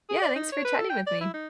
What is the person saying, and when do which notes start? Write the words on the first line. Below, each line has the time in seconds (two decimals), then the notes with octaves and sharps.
Yeah, thanks for chatting with me.
0.09 G#4
0.21 D5
0.36 D#4
0.52 C#5
0.65 B4
0.79 A4
0.90 G5
1.07 D5
1.21 E4
1.34 D#4